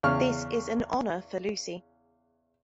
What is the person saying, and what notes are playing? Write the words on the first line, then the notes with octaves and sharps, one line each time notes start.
This is an honour for Lucy.
E2 C#3 C#6 F6